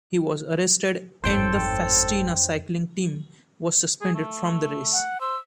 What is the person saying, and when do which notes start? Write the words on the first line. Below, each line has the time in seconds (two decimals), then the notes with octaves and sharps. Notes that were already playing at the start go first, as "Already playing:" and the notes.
He was arrested and the Festina cycling team was suspended from the race.
1.24 G1 F2 G#2 D#4 A4 C5 C#5 G5
4.01 G#4
4.14 A3
4.93 F#5
5.21 C5 E6